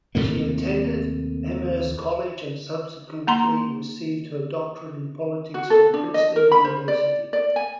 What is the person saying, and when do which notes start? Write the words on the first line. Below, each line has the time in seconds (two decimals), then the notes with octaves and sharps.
She attended Amherst College and subsequently received her doctorate in politics from Princeton University.
0.15 D#2 C3 A3 A#3
3.27 A#3 A#5 C6
5.54 F#4
5.70 A4
5.94 D4
6.14 D#5
6.36 A#4
6.52 B5
6.64 C5
6.88 D5
7.33 D5
7.56 G#5